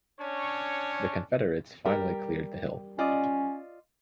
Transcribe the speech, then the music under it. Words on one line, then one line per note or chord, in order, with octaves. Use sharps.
The Confederates finally cleared the hill.
C#4 D4 C#5
G3 G4 A#4
C#4 F4 D5 D#5